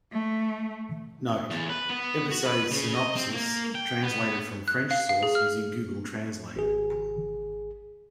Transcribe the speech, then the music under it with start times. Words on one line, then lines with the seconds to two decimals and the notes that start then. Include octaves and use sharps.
Note: Episode synopsizes translated from French source using google translate.
0.12 A3
1.50 E2
1.69 B4
1.90 B3
2.31 F#4
2.46 B4
2.71 C#3
2.94 D#5
3.16 C4
3.32 A#3
3.75 G5
4.03 B3
4.68 F#6
4.91 F5
5.09 F5
5.23 G#4
5.35 F6
6.56 G#1 G#4